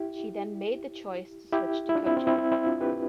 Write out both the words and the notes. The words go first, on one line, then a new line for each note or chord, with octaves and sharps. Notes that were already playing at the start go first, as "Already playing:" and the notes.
She then made the choice to switch to coaching.
Already playing: E4 G4
E4 G4
E4
D4 F4
C4 E4
C4
C4 E4
C4 E4
C4 E4
D4 F4
G4 B4